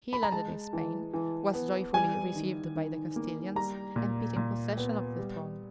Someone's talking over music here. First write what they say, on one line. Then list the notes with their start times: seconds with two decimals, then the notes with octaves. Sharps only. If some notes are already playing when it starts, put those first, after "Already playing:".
He landed in Spain, was joyfully received by the Castilians, and pit in possession of the throne.
0.13 B5
0.23 A#5
0.32 G#3 A5
0.73 E3
1.14 E3
1.53 B3
1.94 G3 G#5
2.35 D#3
2.75 D#3
3.16 A#3
3.55 G3 A#5
3.96 A#2
4.36 A#2
4.77 B3
5.18 G3